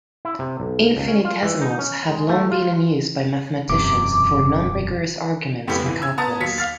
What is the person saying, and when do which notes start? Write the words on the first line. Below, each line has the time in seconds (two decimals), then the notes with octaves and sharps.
Infinitesimals have long been in use by mathematicians for non-rigorous arguments in calculus.
0.25 E4
0.39 C3
0.60 B1
0.96 C#2
1.08 C#4
1.25 F4
1.43 E3
1.62 D#4
1.79 C#4
2.09 G#3
2.29 A3
2.51 F4
3.70 E1 F#2 C3 D6
5.67 F2 A2 C#3 B3 G4 B5
5.82 G#1 E3
6.02 E6 G#6
6.18 B3 A5 A#5 D#6 A6
6.40 D#2 F#3 B6 C#7
6.58 F5 F6 A6